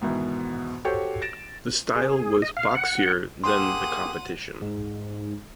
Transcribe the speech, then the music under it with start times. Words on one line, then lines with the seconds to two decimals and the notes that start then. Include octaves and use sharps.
The style was boxier than the competition.
0.01 G#2 B2 D#3 E3
0.85 F#4 G4 A4 C5 C#5 G5
1.22 A6 A#6 D7 E7
1.96 G#4
2.42 D#5
2.57 F5
2.75 F#5
3.44 A#3 G4 G#4 F#5 C6 D#7
4.62 G#2